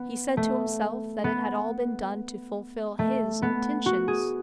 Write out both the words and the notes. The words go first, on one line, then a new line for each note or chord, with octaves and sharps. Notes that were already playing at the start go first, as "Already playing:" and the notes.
He said to himself that it had all been done to fulfil his intentions.
Already playing: B3
A3
B3
A3
B3
F#4
G#4